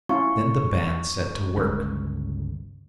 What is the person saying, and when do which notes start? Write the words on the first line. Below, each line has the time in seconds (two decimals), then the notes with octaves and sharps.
Then the band set to work.
0.09 C#4 E4 F4 C#6
1.56 G1 C#2